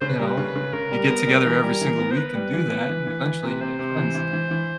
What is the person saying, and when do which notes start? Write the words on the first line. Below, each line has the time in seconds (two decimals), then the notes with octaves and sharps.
you know, you get together every single week and do that, and eventually you make friends, and that's
0.01 C#3 C5
0.09 B4
0.19 G3 A#4
0.27 B4
0.37 C#3
0.55 C#3
0.73 C#3 A#4
0.92 G3
1.09 B3
1.27 G3
1.45 E3
1.63 G3
1.81 E3
1.99 B3
2.11 C5
2.17 B3 B4
2.35 G3
2.53 E3
2.71 B3
2.89 E3
3.07 E3
3.25 E3
3.43 C3
3.51 B4
3.61 C3 C5
3.79 C3
3.97 E3
4.15 E3
4.33 E3
4.51 E3